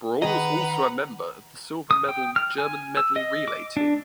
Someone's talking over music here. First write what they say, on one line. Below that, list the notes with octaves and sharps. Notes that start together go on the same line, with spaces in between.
Braun was also a member of the silver medal German medley relay team.
D#3 G#4 B4 D#5 F#5 A#5
D#6
G5
F6
G#5
E6
D#5
D6
D4